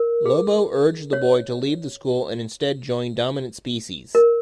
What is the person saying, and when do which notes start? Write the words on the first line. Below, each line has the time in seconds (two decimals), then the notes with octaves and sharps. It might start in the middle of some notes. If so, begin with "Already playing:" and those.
Lobo urged the boy to leave the school and instead join Dominant Species.
Already playing: A#4
0.26 G#4
1.13 C#5
4.15 A#4